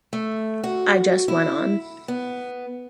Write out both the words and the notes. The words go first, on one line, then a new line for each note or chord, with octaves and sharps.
I just went on.
A3
F#4
E4
B3